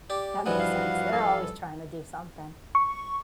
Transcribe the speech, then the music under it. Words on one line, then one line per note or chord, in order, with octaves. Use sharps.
That makes sense. They're always trying to do something.
G4 D5
G2 E3 F3 F#4
F5
A4
C#6